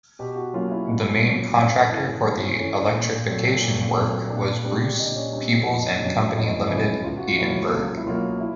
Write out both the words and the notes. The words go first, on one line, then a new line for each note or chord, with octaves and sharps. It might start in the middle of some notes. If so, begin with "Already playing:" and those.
The main contractor for the electrification work was Bruce Peebles and Company Limited, Edinburgh.
B2 G4
F#4
F#3 A#3 C#4 F4
E4
B2
F#3 A#3 C#4
G2 C#4
D4
E3 A3
C#4
G2 D4
C#4
E3 A3 C#4
D4
A#2
F#3 A3 C4
A#2
F#3 A3 C4
A#2 D4
G3 C4 D4
A#2 D#4
D4
C#4
D4
G3 C4 D4
E4
F2 D#4
D4
C#3 F#3 B3 D#4
F2 E4
D#4
E4
C#3 F#3 B3 E4
C#2 F4
F#4
F4
B2 F#3 A#3 E4
C#2
E4
B2 F#3 A#3 F4
E4